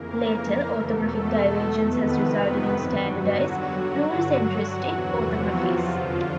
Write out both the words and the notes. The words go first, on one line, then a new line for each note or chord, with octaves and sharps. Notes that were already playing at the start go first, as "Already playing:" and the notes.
Later orthographic divergence has resulted in standardised pluricentristic orthographies.
Already playing: F2 C#3 E3 A#3 A#4
E2 B2 A3 A4
F2 C3 D#3 B3 B4
B3 B4
G2 D3 F#3 F#4
G2 D3
F#3 F#4
E2 C3 E3
F3 F4
F2 D3